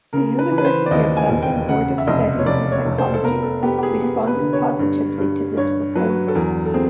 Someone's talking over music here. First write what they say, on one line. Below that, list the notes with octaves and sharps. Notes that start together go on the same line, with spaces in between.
The University of London Board of Studies in Psychology responded positively to this proposal.
C#3 A#4
B4
E3
B4
C5
D5
D#2 D#5
G#5
E1
G5
C#3 F#5
E5
F1 D#5
C#5
F1 D5
C#5
F1
C5
A4
B3 A#4
A4
B3 G4
G4
G#4
B3
B4
D3
C#5
G2
G2
G2 C#5
F#3 B4
A4
E2 A#4
A4
C4 G#4